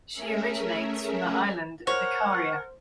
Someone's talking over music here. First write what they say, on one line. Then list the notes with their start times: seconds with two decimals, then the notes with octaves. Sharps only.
She originates from the island of Icaria.
0.12 A3 C#4 G#4 A#4 E5
1.87 A#4 C5 C#5 F#5